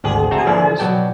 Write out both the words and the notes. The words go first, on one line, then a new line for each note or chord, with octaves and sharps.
Oh gosh.
G#1 D2 G4 G#4
C4 F#4 C5 E5 A5 A#5
D3 E3 F3 A#3 D4 E4
B2 F#3 D5 G5 A5